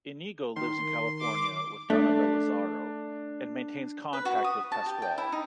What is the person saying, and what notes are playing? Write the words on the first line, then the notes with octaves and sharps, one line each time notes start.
Inigo lives in California with Donabelle Lazaro, and maintains contact with Pascual.
D#3 C6
D6
A3 D4
B4
F#4
D#6
A5
G4
G5
E4
D#4